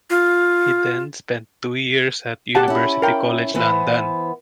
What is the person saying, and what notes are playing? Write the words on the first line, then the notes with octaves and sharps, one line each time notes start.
He then spent two years at University College London.
F4
G4 F#5 A5
C#4 E4
A#4 G5
E3 B3 C5